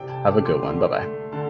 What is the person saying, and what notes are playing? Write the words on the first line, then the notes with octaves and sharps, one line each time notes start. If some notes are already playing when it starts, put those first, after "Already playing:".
Have a good one. Bye-bye.
Already playing: C3 E3 D5 G5
A5
A3 D6
C6
D3 C6
A3
D3 A5